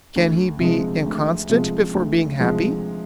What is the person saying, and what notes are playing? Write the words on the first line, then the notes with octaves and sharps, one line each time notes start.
"Can he be inconstant before being happy?"
D2
C3 F3 G#3
D2
C3 F3 G#3
D2
C3 F3 G#3